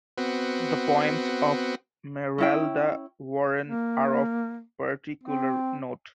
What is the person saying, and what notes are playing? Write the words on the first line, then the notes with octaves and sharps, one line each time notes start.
The poems of Meralda Warren are of particular note.
B3 C4 F#4
C#4 E4 G5
A#3
C4